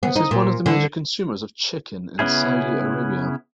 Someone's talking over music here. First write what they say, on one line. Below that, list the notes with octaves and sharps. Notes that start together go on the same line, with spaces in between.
It is one of the major consumers of chicken in Saudi Arabia.
B3
D#4
A#2
D3
C#3 B3 C#4 E4 G#4